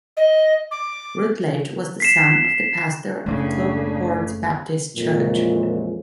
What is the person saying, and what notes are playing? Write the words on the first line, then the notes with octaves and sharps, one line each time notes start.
Rutledge was the son of the pastor of Cloverport's Baptist church.
D#5
D6
B6 C7 E7
F#1 A2 C#3 A3 D4
F2 A#2 E3 F#3 G#3